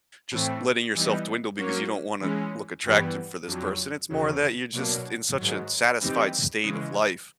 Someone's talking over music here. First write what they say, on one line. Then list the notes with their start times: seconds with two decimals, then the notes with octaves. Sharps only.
just letting yourself dwindle because you don't want to look attractive for this person. It's more that you're just in such a satisfied state of life
0.31 A2 E3 A3 C4
0.94 E3 G3 B3 D#4
1.57 F#3 A#3 C#4
2.20 E3 G#3 C#4
2.84 G2 E3 G3 B3
3.46 F2 D3 F#3
4.09 E2 C#3 F#3
4.72 B2 F#3 A#3 D4
5.36 G#2 D#3 F#3
5.99 E3 G3 C4 D#4 G4
6.62 C#3 E3 G#3